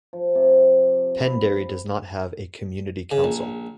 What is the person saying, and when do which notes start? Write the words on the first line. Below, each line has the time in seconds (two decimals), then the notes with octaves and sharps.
Penderry does not have a community council.
0.13 F3
0.35 C3
1.18 B5
3.11 C#3
3.24 A#1